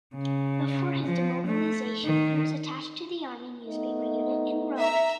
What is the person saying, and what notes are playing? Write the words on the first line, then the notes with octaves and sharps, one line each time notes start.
Before his demobilisation he was attached to the Army Newspaper Unit in Rome.
C#3
F3
A3
D#3
A3 B3 D#4
E5 A#5